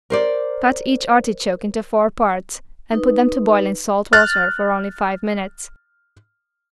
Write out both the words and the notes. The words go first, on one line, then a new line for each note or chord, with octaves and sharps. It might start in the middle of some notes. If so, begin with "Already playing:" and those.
Cut each artichoke into four parts and put them to boil in salt water for only five minutes.
A#4 C5 D5
D#4 B4
F6 F#6 A6